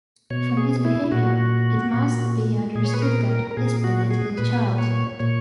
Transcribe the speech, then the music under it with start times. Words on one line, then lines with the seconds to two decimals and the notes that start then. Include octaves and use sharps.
From his behavior, it must be understood that Espinete is a child.
0.30 B2 C#5
0.57 G#4
0.85 E4
1.12 A#2 F#4
1.94 A#2
2.75 A#2 G#4
2.85 C#5
2.94 B4
3.02 A#4
3.29 A#4
3.51 A#4
3.57 A#2 G#4
3.84 F#4
4.11 G#4
4.38 A#2 B4
4.78 C#5
5.19 A#2 C#5